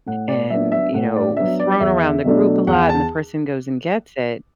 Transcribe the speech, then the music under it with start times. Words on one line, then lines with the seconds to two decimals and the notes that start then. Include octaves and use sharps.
and, you know, thrown around the group a lot and the person goes and gets it,
0.06 A2 F#5
0.28 D5
0.50 F#3 B3 D4 E5
0.72 E5
0.93 A2 F#5
1.16 D5
1.37 F#3 B3 D4 E5
1.60 D5
1.80 E2 E5
2.24 B2 F#3 A3 D4
2.67 E2 F#5
2.89 A5